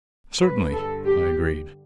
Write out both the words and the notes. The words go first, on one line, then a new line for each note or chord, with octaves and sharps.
"Certainly!" I agreed.
G2 D3 B4
A4
G4